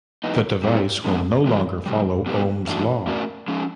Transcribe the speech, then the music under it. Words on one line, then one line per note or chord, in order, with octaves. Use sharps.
The device will no longer follow Ohm's law.
E3 G#3 B3 D#4
G3 C4 E4 G#4
D3 F3 G#3 B3
G2 E3 G#3
F2 C3 G3
B2 G3 B3
G#2 E3 A3 D4 F#4
A3 C#4 F#4 A#4 D5
F3 G#3 C#4